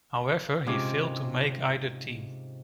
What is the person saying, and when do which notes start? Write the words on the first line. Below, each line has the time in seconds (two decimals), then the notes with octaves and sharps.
However, he failed to make either team.
0.66 G#2 C3 C#4 F4 D6